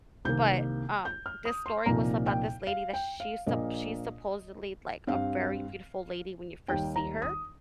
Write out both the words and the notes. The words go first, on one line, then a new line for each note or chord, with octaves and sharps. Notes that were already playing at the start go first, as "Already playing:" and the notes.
But, um, this story was about this lady that she's supp she's supposedly, like, a very beautiful lady when you first see her,
C2 C3 D#3 A#3 G6
G6
F6
D#6
C6
C2 A#2 F3 A#3 D#4 A#5
G5
F5
G5
F5
A#1 A#2 A#3 D#5
G2 G3 C4 F5
D#2 D#3 G3 D#4 G5
A#5
D#6